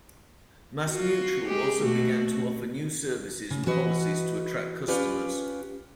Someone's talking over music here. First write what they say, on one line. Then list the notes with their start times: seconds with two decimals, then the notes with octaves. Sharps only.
MassMutual also began to offer new services and policies to attract customers.
0.89 F4 F#4
1.47 G#3 G4 G#4
1.83 B2 A3 F#4
3.50 C#3
3.66 E3 F#4 B4 D#5
4.88 C#4 F4 G4 B4 D5